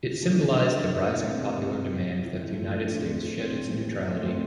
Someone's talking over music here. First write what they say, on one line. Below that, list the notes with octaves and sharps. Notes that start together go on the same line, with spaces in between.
It symbolized the rising popular demand that the United States shed its neutrality.
C3 E3 A3 D4
D4
A#3
C4
C3 G3 A#3
C4
E4
A2 F3 A3
D4
C4
D4
C4
A2 E3 G3
A3
A#3
A3
C4